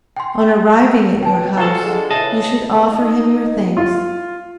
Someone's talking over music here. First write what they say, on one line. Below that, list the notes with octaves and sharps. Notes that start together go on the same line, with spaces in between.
On arriving at your house, you should offer him your thanks.
G5 G#5 C6
B2 G5 A5
F4 F#4 A4 G#5
D3 G#3
C#3 E3 D#5 A5
D#4 D#5
F4